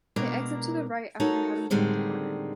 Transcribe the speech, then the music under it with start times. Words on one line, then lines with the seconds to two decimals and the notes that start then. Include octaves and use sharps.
They exit to the right after having turned the corner.
0.16 B2 G#3 A#3 D4 E4 A#4
1.20 A3 D#4 F#4 A4 A#4 C#5
1.70 A2 D3 D#3 G3 G#3 C4